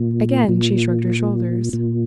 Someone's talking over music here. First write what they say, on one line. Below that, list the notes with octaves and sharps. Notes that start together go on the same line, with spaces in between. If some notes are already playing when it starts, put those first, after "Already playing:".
Again she shrugged her shoulders.
Already playing: A#2
A#2
A#2